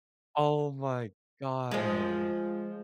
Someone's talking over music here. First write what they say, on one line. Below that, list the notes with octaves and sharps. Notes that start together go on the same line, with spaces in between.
Oh my god!
F3 G#3